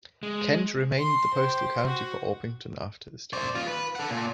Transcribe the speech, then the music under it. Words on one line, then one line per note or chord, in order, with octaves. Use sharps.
Kent remained the postal county for Orpington after this time.
G#3
C6
G4 C5
F#4
C5 D5
D#2 F4
B4
A4 F#5
A#2